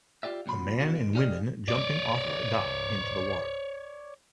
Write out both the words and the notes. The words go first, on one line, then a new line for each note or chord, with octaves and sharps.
A man and women jumping off a dock into the water.
F4 G4 D5 E5
C#2 A#2 F#3 B5 C6
E2 D3 F#4 F5
D#3 G#3
D#4 G4 G#4 D5 D#5 F5
C#5 D5